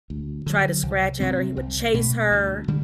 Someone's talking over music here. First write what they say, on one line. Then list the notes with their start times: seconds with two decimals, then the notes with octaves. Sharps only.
try to scratch at her, he would chase her
0.10 D2
0.46 D3 F#3
0.83 C2
1.20 C3 G3 C4
1.57 C2
1.94 B2 A3
2.31 D2
2.68 D3 G3